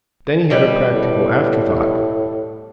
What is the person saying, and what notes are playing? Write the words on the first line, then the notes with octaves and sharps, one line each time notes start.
Then he had a practical afterthought.
B2 G3 B4
A2